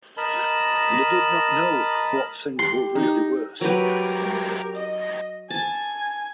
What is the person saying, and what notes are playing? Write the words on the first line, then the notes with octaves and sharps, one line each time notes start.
They did not know what things were really worth.
A#4 D#5 A5 B5
G4 C6
D#4
F#3 G4 A#4 B4
D#5
G#5 A5